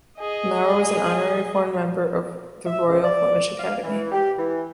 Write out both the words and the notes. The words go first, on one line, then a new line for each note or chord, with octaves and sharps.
Mawer was an honorary foreign member of the Royal Flemish Academy.
G#4 D#5
E5
C#2
D5
F5
E3
G4
E3